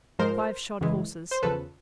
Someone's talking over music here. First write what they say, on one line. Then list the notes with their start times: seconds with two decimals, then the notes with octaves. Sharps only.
Five shod horses.
0.19 G#2 F3 G#3 A#4 C5
0.81 F#2 C#3 E3 G#3
1.31 C5
1.43 E2 C#3 F3 A4 B4